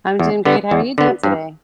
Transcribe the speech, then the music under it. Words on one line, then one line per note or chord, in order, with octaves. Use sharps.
I'm doing great. How are you doing today?
E2
D3 B3
E2
D3 B3
G2